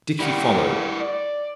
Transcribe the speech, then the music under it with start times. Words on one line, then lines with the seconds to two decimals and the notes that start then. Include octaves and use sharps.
Dickie followed.
0.20 G3 E4 A#4 F#5
0.65 G2
1.01 D5